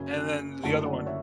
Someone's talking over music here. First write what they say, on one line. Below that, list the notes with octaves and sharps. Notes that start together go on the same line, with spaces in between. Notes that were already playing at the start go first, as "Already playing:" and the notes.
and then the other one
Already playing: F#1 F#2 C#3 G#5
F#1 F#2 D3 A3 E4 F#5 A5
D5 F#5
C#5 E5